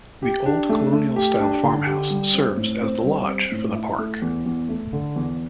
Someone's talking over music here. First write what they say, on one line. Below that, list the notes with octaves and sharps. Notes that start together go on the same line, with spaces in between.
The old colonial-style farmhouse serves as the lodge for the park.
G4
D4
A3
A3
G4
D4
D3
G4
G3
C4
A2
C4
G3
C4
A2
E4
A3
E2
E2
A3
D3
E2